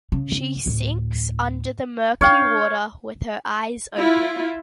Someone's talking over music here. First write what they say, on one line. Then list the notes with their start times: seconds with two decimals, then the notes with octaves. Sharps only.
She sinks under the murky water with her eyes open.
0.12 C#3
0.66 D2 A2
2.21 D4 C#5 F5 G5
3.96 E4 F4